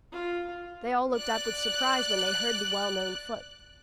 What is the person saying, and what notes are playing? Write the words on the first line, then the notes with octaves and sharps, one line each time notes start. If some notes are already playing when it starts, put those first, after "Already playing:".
They all looked up with surprise when they heard the well-known foot.
F4
D5 F#6